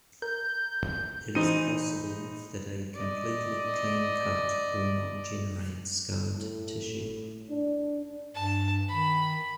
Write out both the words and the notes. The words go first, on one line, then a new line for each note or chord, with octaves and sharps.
It is possible that a completely clean cut will not generate scarred tissue.
A#4 G6
E3 D#4 C5 D#7
D5 D#5
A2
D4
G2 A5
D#3 B5